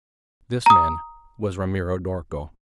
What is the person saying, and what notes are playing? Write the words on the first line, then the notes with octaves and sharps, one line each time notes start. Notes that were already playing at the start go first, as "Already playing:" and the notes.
This man was Ramiro d'Orco.
A#5 D#6